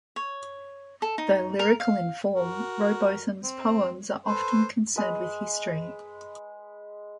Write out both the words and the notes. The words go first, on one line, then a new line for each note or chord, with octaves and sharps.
Though lyrical in form, Rowbotham's poems are often concerned with history.
C#5
A4
D#4
A#4
F5
F#4 A#4
C4
A4 B4 C5
G#3 B4